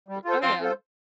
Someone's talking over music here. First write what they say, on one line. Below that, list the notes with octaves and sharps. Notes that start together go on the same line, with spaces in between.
M oh, yeah.
G3
F4 A4 C5
F3 C4 F4
C4 F4 A4 C5